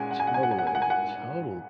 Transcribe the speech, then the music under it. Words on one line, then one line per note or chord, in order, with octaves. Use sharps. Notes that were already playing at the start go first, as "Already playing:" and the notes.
Totally, total
Already playing: A#2 G#3 C#4 F#5 G#5
F#5
G#5
F#5
G#5
F#5
G#5
F#5
G#5
F#5
G#5
F#5